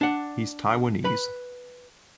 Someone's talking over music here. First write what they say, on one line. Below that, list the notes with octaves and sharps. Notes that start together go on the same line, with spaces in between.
He’s Taiwanese.
D4 F#5
B4 B5